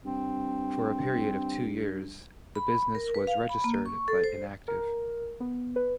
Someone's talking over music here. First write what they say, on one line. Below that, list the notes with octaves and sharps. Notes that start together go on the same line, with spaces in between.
For a period of two years the business was registered but inactive.
G2 C4
B5
A#4
B4
F5
B5
A#3
C#6
A4
C5
A#4
B3
B4